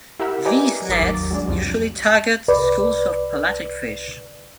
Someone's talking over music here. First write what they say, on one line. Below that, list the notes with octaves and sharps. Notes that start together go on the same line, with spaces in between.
These nets usually target schools of pelagic fish.
E4 G4 A#4 E5 F#5
G4 B4 D5 D#5 G#5 A#5
G#1 F#3 A#4 D6 A6
D#2 A6
F#3 G#3 D4
C2 F2
C2 B4 D5